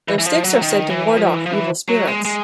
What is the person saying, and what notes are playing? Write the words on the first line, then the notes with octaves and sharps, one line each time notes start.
Their sticks are said to ward off evil spirits.
E3
E3
F3
F#3
D#3
E3
F3
E3
F3
E3
F#3
G#3
G#3